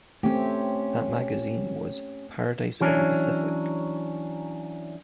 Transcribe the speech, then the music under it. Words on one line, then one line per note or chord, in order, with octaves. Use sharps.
That magazine was "Paradise of the Pacific".
A3 C4 C#4 G4
E3 F#3 C#4 D4